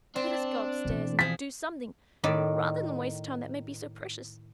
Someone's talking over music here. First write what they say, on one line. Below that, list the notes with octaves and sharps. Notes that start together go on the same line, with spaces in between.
Let us go up-stairs, and do something, rather than waste time that may be so precious.
C4 D4
B2 E3
F3 G#4 B6
A2 D#3 D5 B5